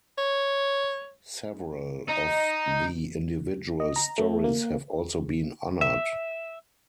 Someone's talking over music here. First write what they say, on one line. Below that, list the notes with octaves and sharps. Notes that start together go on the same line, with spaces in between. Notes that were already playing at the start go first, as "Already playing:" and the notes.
Several of the individual stories have also been honored.
C#5
D#4
D#5
A#5
A3
A#3
E5